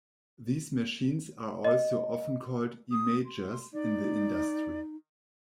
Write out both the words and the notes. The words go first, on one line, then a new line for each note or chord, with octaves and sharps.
These machines are also often called "imagers" in the industry.
D#5
D#6
C6
D#4 D5